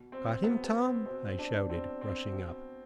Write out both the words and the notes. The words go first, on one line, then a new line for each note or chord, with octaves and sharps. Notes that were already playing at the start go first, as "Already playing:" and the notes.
"Got him, Tom?" I shouted, rushing up.
Already playing: B2
C4
B2 B3
B3
C4
B2 C4
D4
B2 C4
C4
B2